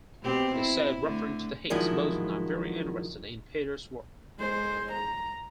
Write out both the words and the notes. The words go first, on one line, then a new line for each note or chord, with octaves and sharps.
He said, referring to the Higgs boson, I am very interested in Peter's work.
B2 C4 G4
E4
D3 A3
D3 D#3 F3 F#3 G#3 E4
G#3 C5
A#5